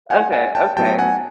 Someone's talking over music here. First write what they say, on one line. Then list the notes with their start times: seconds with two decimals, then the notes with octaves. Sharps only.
Okay, okay,
0.10 F#5 G#5
0.32 F#5 G#5
0.55 G5 A5
0.77 A2 F#3 B3 D#4 G5 A5
0.99 F#5 G#5